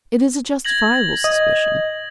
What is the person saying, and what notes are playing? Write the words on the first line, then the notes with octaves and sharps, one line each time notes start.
It is a justifiable suspicion.
G#6 A#6 F#7
D#5